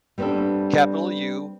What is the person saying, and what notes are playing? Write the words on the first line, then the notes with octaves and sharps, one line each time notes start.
capital U,
G3 B3 C4 D4 A4